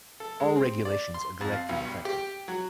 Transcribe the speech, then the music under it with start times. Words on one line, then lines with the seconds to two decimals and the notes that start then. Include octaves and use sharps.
All regulations are directly effective.
0.20 A4
0.40 G#3
0.56 C4
0.85 D5
1.14 C6
1.41 F2
1.53 F5
1.69 B1
1.84 G2
2.05 G4
2.48 F#3